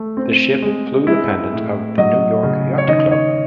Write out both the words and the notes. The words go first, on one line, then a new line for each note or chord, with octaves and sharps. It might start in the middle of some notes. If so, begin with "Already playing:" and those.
The ship flew the pennant of the New York Yacht Club.
Already playing: A3
C4
G#3
G#3 E4
A2
F#3 D#5
C#3
C#5
D#3 D#5
C#5